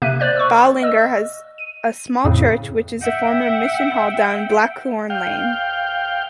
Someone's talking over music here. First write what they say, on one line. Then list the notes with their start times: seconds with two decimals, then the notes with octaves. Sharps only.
Ballinger has a small church which is a former Mission Hall, down Blackthorne Lane.
0.02 C3 A#3 E5 F#6 D#7
0.20 C5 D5 F#6
0.36 C#6 E6
0.82 D#5 E6
1.58 D#7
2.25 F2 A2 C#3
3.01 E5 F#5 G5
5.10 F5 G5